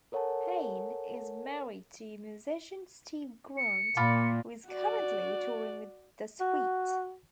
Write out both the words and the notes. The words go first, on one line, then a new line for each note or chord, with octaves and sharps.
Payne is married to musician Steve Grant who is currently touring with The Sweet.
A4 A#4 C#5 F#5 G#5 A5
C#7
A#2 F4 B5 D6
F#4 D5
F#4